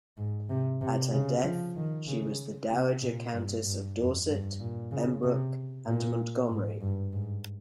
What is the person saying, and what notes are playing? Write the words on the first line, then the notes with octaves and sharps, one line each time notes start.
At her death she was the Dowager Countess of Dorset, Pembroke, and Montgomery.
G#2
C3
C3
C#3
F3
D#3
C#3
C3
A#2
G2
G2
F2
G2
A#2
C#3
C3
A#2
G#2
G2
G#2